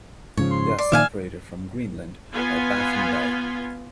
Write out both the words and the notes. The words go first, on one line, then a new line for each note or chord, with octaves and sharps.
They are separated from Greenland by Baffin Bay.
G#2 C#3 F3 C#5
C6
D5 C6
A#2 D#3 F3 E5 F5 G#5
B3 F4 G#5